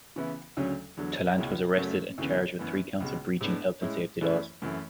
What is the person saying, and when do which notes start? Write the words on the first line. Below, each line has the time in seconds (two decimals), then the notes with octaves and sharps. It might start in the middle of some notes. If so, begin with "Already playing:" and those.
Tallant was arrested and charged with three counts of breaching health and safety laws.
0.16 C#3 E3 B3 E4
0.57 D2 C#3 F#3 C#4
0.97 E2 D3 F#3
1.37 C#2 B2 G#3 C#4 E4
1.77 F#2 C#3 F#3 A3
2.18 D2 C#3 E3 B3
2.59 F#2 E3 B3
3.00 C#2 B2 G#3
3.41 A2 G#3 B3 D4
3.81 A2 G#3 C#4 E4
4.21 F#2 E3 A3 E4
4.62 F#2 E3 A3 E4